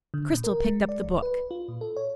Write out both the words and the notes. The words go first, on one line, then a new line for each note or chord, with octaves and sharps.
Cristel picked up the book.
D3
A#2
A#4
G#3
D5
C2
B4
F4
A#2
A4
C#5